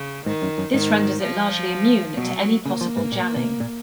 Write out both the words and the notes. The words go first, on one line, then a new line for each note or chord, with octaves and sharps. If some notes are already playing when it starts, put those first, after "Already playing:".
This renders it largely immune to any possible jamming.
Already playing: C#3
G#2 D#3
F#2
F#2
G#2 D#3
F3
B2 F#3
C#3 A#3
F3
G#2
A#2
B2
A#2